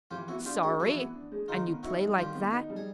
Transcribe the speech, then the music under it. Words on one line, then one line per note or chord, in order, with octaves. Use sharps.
"Sorry!--and you play like that!"
E3 F4 G4
B3 E4 F#4
D4 F4 G4
G#3 F#4 G#4
E3 E4 F#4
B3
D4
G#3
D#3 D#4 F4
B3
D#4 E4 F#4
G3
D#3 F4 G4
B3
D#4
G3
G#4